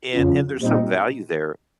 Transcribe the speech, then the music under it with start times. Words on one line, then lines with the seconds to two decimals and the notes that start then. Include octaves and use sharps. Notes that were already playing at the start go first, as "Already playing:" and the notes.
and and there's some value there.
0.14 F2 C#3 F3
0.61 A#2 G3 C4 D#4